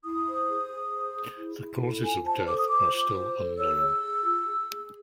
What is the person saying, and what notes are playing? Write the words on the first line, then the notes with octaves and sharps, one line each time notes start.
The causes of death are still unknown.
E4 D#6
C5
G#4
G#4
C5
G#4
E4
E4
A4
F4 G#5
C5 A5
A4 D6
D#6
C5 D6
F4
C5
A4
C#5 E6
G#4
G#4
F4
G#4
G#4